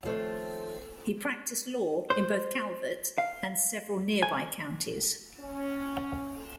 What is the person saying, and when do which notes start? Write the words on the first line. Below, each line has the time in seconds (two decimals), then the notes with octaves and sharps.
He practiced law in both Calvert and several nearby counties.
0.04 D#3 F3 A3 C4 A4 C#5
2.10 C5
3.18 F5
4.22 G#5
5.39 C#4